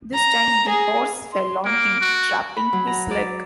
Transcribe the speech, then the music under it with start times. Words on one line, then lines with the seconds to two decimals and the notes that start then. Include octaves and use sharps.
This time the horse fell on him, trapping his leg.
0.15 A#5
0.69 G#4
1.33 C6
1.65 A#3 D7
2.01 F#4
2.57 B5
2.73 F#3
2.87 A#5
3.11 D5